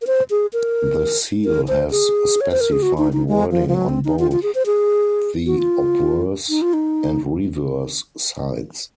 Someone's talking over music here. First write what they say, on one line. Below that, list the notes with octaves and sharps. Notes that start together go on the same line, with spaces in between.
The seal has specified wording on both the obverse and reverse sides.
A#4
C5
G#4
A#4
A#4
C5
G#4
C#5
C5
A#4
G#4
F#4
D#4
D#4
G#3
F3
F3
F#3
C4
D#4
F4
F4
G#4
C5
G#4
F#4
F4
D#4
F4
D#4